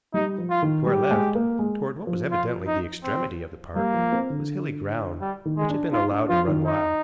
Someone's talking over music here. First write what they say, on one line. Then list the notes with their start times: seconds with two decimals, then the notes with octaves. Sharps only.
To our left, toward what was evidently the extremity of the park, was hilly ground, which had been allowed to run wild.
0.14 G3 D#4
0.38 F3
0.50 F4
0.62 D#3
0.86 G3 G4
1.11 G#3
1.35 A#3
1.59 G#3
2.07 F3
2.31 F4
2.67 D#4
3.03 C4
3.76 G3 A#3
3.94 F3
4.12 C4
4.30 D3
5.21 G3
5.45 D#3
5.57 G#3
5.69 D4
5.93 D#4 F4
6.11 D4
6.29 F3 F4
6.48 D#3
6.65 D#4